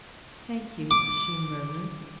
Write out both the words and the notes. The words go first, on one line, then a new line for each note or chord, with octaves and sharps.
"Thank you," she murmured.
D6